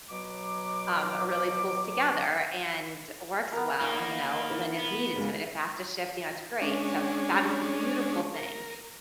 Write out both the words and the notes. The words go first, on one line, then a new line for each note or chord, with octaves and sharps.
um, really pulls together and works well, you know, when it's needed to, in a faster to shift, you know, it's great. So that is the beautiful thing,
B2 F#3 D6
B3 A#4
A#3 D#4 F4
E3 E4 B4
B3
D#2 C#3 G#3
G#3 C#4 D4
A#4